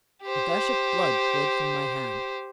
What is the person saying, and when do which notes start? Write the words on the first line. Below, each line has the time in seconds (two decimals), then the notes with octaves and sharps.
A gush of blood poured from my hand.
0.23 G4 C5